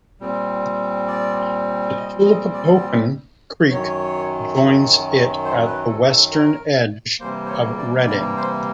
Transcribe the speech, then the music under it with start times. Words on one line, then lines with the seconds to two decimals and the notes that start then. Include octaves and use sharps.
The Tulpehocken Creek joins it at the western edge of Reading.
0.20 A#2 G3 C4
1.08 D5
1.96 D#5
2.24 D#5
2.53 D5
3.70 F#2 D#3 F#3 C#5
5.45 C5
5.67 B4
5.88 A4
6.10 A4
6.32 A#4
7.20 C3 E3 G3 A#3 C5
7.45 C5
7.48 C#5
7.78 D5
8.07 D5
8.37 C5